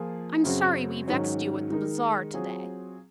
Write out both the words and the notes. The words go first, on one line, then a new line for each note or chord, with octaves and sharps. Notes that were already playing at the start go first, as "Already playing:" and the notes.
I'm sorry we vexed you at the bazaar to-day.'
Already playing: F3 A#3 F4 G#4
F#2 C#3 F#3 C4 F#4
G#2 D#3 F#3 C#4
D#3 G#3 D#4 A#4
F#3 C4 F4 G#4